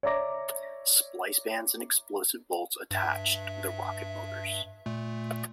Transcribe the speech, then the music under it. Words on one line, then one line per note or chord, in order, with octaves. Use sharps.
Splice bands and explosive bolts attached the rocket motors.
C#5 D5 E5 A#5 D6 A#6
G2 E5
A#2 A3